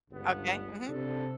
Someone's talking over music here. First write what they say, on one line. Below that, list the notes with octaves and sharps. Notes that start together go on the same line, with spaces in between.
Okay, mhm.
G1 C#2 G2 B3
C3 D4 A4